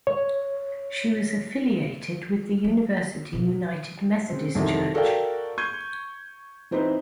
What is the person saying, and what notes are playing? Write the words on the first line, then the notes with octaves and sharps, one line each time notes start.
She was affiliated with the University United Methodist Church.
C#5
F#3
B2 F3
C#3 C4
C2 F2 D#3 E3 F#3
F#4 A4 A#4 D5 F5 G5
C#6 G6 G#6 D#7
E3 C4 D#4 B4 C5